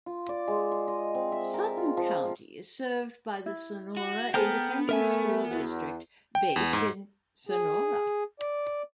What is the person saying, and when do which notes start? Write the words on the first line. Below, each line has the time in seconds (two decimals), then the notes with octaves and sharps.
Sutton County is served by the Sonora Independent School District based in Sonora.
0.06 F4
0.29 D5
0.48 G#3
0.72 C6
0.88 D#5
1.15 C4
1.32 E5
1.54 A#4
1.77 F4
1.97 F3
3.46 E4
3.97 F#4
4.34 B3 G#4 A4 C5 G5 A#5 F6
4.89 A3 A#4 E5 G#5
5.51 E2 F#4
6.35 G5
6.56 E2
6.73 G#2
7.49 G#4
8.40 D5